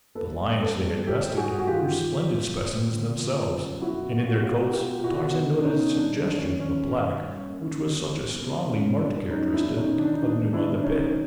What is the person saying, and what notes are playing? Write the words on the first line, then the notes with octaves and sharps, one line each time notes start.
The lions they had bested were splendid specimens themselves and in their coats Tarzan noted a suggestion of the black which was such a strongly marked characteristic of Numa of the pit.
A#3 A4 B4
G2
A4 B4
G3
G3 G4 A4
G2 F#4 G#4
F#4
D#3 F4 G4
F3
F3
F3
D3
F3
F#2
B2 E4 F#4
B3 F#4
F4
E4 F#4
B2 F4 G4
F#4
B2 F4 G4
B3 E4 F#4
B2
D4
B3 C#4 D#4
G3 D4
D#2 D4
C#4
D#2 C#4
D#2
G3
A#3
E2
E2
B2
E2 C#4
G3 D4
F#3 C#4 D#4
D4 E4
E2
C#4 D#4
D#3
D4
D#4
E2 D4
D#3 D4 E4
D4
F#3 C#4 D#4